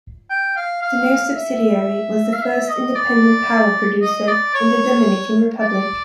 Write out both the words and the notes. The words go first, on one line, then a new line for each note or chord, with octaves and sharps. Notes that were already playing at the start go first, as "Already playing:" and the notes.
The new subsidiary was the first independent power producer in the Dominican Republic.
G5
F5
F5
E5
F5
E5
D#5
D5
D#5
D5
C#5
D5